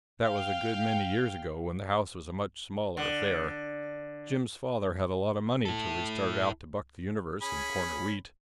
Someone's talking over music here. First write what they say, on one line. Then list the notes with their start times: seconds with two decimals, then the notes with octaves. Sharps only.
That was a good many years ago when the house was a much smaller affair. Jim's father had a lot of money till he started out to buck the universe and corner wheat.
0.24 F5 G5
2.97 D3
5.65 E4 A4
7.42 C#4 G#4 B5